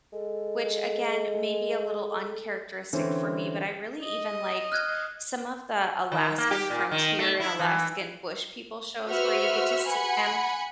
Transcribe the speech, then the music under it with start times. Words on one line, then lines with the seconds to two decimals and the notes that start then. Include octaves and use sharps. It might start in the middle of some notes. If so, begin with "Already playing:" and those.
which again, maybe a little uncharacteristic for me, but I really even liked some of the Alaskan Frontier and Alaskan Bush People shows where you get to see them
0.13 G#3 A4
2.93 D3 E3 C4 C#4
4.04 D#5
4.72 F6 F#6 G#6
6.12 D#3
6.38 A#3
6.51 G4
6.70 A#2
6.91 D#3
7.19 A3
7.40 E4
7.59 E3
9.07 F#4 B4 C5 E5 F#5 F6
9.88 F#5 G#5 B5 C#7